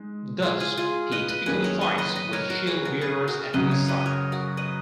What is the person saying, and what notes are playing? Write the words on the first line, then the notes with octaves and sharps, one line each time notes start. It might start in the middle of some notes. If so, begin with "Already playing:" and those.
Thus, he typically fights with shield bearers at his side.
Already playing: G#3 D#4
F4 G#4
F4 G#4
F4 G#4
B4 D#5
B4 D#5
F#2 D#3 A#3 C#4 G#4 B4
A#4 C#5
B4 D#5
B4 D#5
B4 D#5
A#4 C#5
F#4 A#4
G#4 B4
F#4 A#4
G#4 B4
F#4 A#4
F#2 C#3 F#3 B4 D#5
C#5 F5
B4 D#5
A#4 C#5
F#4 A#4
B4 D#5